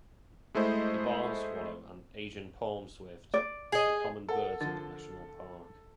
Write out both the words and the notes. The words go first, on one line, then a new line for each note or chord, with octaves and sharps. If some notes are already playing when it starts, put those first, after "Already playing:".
The barn swallow and Asian palm swift are common birds in the national park.
G#3 A3 E4 C5 D#5
D5
G#4 D#5
A4 A#4 F#5
D3 F3 A6